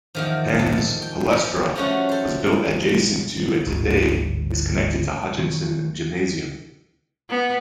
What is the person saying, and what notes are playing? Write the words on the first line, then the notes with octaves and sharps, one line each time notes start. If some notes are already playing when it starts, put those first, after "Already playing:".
Penn's Palestra was built adjacent to and today is connected to Hutchinson Gymnasium.
E2 D#3 F3
A4
G5
F3
F3 G3 A3 C#4 F4 F#4
A4 C5
G1 D2 G#2
D#3 F#3 A3 B3
B3